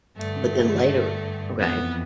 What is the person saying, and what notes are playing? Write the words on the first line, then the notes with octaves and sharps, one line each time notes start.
But then later, okay,
G2 D3 A3
F2 E3 B3